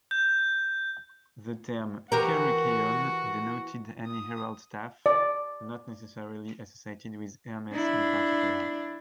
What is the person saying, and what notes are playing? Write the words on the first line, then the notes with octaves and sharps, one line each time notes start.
The term "kerukeion" denoted any herald's staff, not necessarily associated with Hermes in particular.
G6
E3 F#4 G4 A#4
D#6
D5
D4 E4